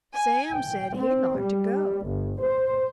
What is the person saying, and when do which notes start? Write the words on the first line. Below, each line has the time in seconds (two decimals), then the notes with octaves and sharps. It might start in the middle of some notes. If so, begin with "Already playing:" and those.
Sam said he'd like to go.
0.15 G#5
0.54 G5
0.97 C4
1.40 G3
2.08 G1
2.41 C5